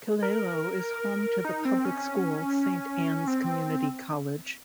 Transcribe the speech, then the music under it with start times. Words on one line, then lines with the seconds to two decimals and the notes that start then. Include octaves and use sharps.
Killaloe is home to the public school Saint Anne's Community College.
0.23 A#4
1.45 D#4
1.65 C4
1.85 C#4
3.27 C4